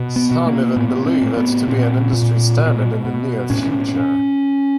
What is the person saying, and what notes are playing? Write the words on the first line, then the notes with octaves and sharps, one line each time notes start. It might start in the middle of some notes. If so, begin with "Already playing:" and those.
Some even believe it to be an industry standard in the near future.
Already playing: B2
B3
B2
A#3
A2 B3
C4
A2
B3
A#2 C4
A#2
B2
B2
A2 C#4